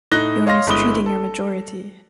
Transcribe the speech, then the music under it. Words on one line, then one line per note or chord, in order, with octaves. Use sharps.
You are mistreating your majority.
A2 D#4 F#6 A#6 G7
C#5 D#5 F5 C6 F6 A#6
G1 G#3 E4 B5 D#6 G7
A4